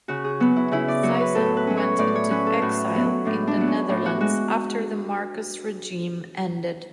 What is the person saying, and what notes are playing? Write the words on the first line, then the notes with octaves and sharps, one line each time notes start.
Sison went into exile in the Netherlands after the Marcos regime ended.
C#3 F#4
G#4
F#3 B3
E4
C#3 E4
D5
F#3 B3 C#5
B4
A2 A4
B4
F#3 C#4
C#5
A2 D5
C#5
F#3 C#4 B4
A4
A2 F#4
F#3 B3
A2 D4
D4
F#3 B3
C#4
A2 D4
F#4
G#3 F#4